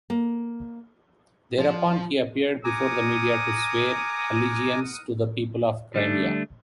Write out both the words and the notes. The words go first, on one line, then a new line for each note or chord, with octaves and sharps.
Thereupon he appeared before the media to swear allegiance to the people of Crimea.
A#3
F3
A#4 F#5 G#5 A#5 D6 D#6
D3 G3 A3 D4